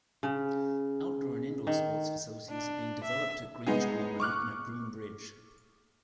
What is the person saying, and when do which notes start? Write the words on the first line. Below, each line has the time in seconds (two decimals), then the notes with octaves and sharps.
Outdoor and indoor sports facilities are being developed at Grangegorman and at Broom Bridge.
0.23 C#3
1.67 D#3
2.49 D4
3.04 E5
3.67 G#3 B3 D#4 G#4
4.20 C#6 D6 F6 F#6